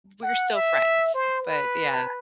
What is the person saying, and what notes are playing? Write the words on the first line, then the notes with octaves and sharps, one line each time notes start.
we're still friends, but yeah.
F#5
E5
C5
B4